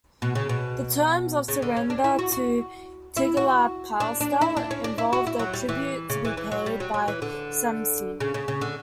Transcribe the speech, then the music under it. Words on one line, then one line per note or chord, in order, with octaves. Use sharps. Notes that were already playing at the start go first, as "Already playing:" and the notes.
The terms of surrender to Tiglath-Pileser involved a tribute to be paid by Samsi.
B2
C#3
B2
C#3
D3
C#4
D4
E4
F#4
F#4
E4
F#4
D4
D4
E4
D4
C#4
D4
E4
F#4
E4
F#3
G3
E3
C#3
E3
E3
F#3
G3
F#3
F#3
E3
D3
C#3
C#3
C#3
D3